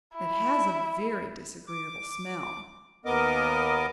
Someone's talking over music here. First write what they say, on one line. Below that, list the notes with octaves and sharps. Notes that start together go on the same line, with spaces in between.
"It has a very disagreeable smell."
E4
D6
D#2 B3 A#4 D#5 D6